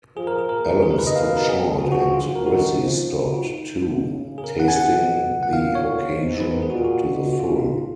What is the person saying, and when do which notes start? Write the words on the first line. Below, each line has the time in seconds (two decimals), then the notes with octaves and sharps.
Ellen stopped short and Grissie stopped, too, tasting the occasion to the full.
0.17 F3 G#4
0.27 A#4
0.38 G#4
0.49 A#2 A#4
0.82 G#4
0.91 A#4
0.98 B4
1.07 D#5
1.15 B2 F5
1.37 A#4
1.49 G#4
1.81 F3 F#4
1.92 F#4
2.03 F#4
2.14 F4
2.25 F#4
2.36 A#4
2.46 D#3 F#4
2.57 G#4
2.68 D#4
2.80 F3
3.23 F#4
3.34 F4
3.45 D#4
3.78 F#4
4.11 C#3
4.38 G#4
4.44 A#4
4.60 F#5
4.68 G#5
4.76 B2 F#5
5.42 A#2 F#5
5.53 F5
5.75 C#5
6.08 G#2
6.40 B4
6.52 A#4
6.62 G#4
6.70 F#4
6.73 A#2 F4
6.85 F#4
7.06 B2
7.33 F#4
7.39 B2 F4